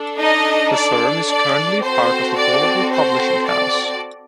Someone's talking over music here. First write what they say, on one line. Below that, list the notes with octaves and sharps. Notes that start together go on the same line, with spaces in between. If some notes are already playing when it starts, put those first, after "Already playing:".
The firm is currently part of a global publishing house.
Already playing: D4 A4
D#4 D#5
D5
D5
C4 F#4 A4 C5
D5
C5
D5